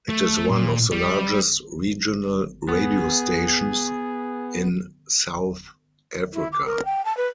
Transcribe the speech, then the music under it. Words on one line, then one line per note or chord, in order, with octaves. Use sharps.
It is one of the largest regional radio stations in South Africa.
A3
A#2
G3
B3 G#4
E4
D6
A#4
G5
A5
B4